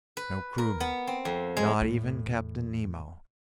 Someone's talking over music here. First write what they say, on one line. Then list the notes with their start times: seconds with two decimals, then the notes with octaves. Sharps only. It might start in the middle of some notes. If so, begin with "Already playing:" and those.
No crewmen. Not even Captain Nemo.
0.17 B4
0.58 A#4
0.80 B3
1.07 C4
1.25 F2
1.57 G#3
1.81 E2 A2